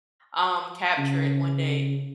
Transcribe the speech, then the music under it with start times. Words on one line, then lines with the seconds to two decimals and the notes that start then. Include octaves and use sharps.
um, capture it one day
0.98 C#3